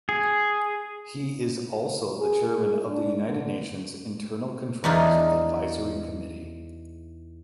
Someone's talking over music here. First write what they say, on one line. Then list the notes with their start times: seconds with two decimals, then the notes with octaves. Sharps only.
He is also the chairman of the United Nations Internal controls Advisory Committee.
0.09 G#4
2.20 G#4
2.48 G#4
2.88 D4
3.28 D3
4.84 E2 E3 D4 D#4 F4 G#4